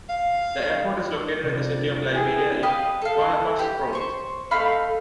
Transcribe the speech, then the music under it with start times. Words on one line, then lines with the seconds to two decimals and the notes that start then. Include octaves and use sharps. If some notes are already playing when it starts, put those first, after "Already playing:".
The airport is located in the city of Liberia in Guanacaste Province.
0.09 F5
1.43 F2 C3 D5
2.13 E3 E4 G4 G#4
2.63 G4 B4 D#5 F5
3.02 A4 F5
3.59 G4
3.93 C5 C#6
4.51 A3 D#4 F5 B5